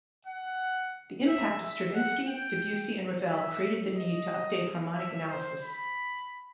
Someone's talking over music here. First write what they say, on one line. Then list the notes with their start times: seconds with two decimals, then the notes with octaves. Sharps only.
The impact of Stravinsky, Debussy, and Ravel created the need to update harmonic analysis.
0.27 F#5
1.28 E5
1.61 E5
1.95 F#5
2.28 G5
3.28 E5
3.96 D#5
4.96 E5
5.29 C5
5.63 B5